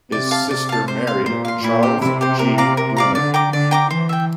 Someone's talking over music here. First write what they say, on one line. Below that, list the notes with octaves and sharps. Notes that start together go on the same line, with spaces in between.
His sister married Charles G. Dulin.
C3 D5
F5 A5
C3 D5
F5 A5
C5
F5 C6
A#2 C5
F5 C6
A#2 E4
G4 C5
C3 E4
G4 C5
A#4
D5 F5 A#5
A#4
D5 F5 A#5
D3 D5
G5 A#5 D6
D3 D5
G5 A#5 D6
E3 C5
E5 G5